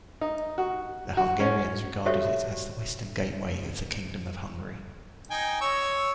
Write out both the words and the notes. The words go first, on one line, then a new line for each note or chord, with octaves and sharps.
The Hungarians regarded it as the western gateway of the Kingdom of Hungary.
D#4
F#4
F#4
C#4
F#4 G4 A4 C5 C#5 E5
D#4 G5 G#5
C#5 C#6 E6